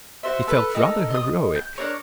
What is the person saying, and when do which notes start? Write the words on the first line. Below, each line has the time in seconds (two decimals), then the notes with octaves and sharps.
He felt rather heroic.
0.23 F#4 C5 E5
0.48 A4 B4
0.75 D#4 G4 A4 A#4
1.10 D#5 D#6
1.55 G6
1.78 D4 A#4 C#5